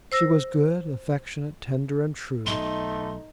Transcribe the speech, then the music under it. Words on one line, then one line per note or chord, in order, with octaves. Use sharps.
She was good, affectionate, tender, and true.
C5 E6 A#6
B1 A3 D#4 C6